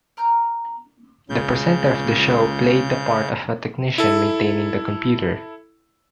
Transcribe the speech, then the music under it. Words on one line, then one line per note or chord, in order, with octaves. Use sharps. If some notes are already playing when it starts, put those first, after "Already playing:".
The presenter of the show played the part of a technician maintaining the computer.
A#4 A#5 F6 G6
C#2 C#3 G6
E4 A4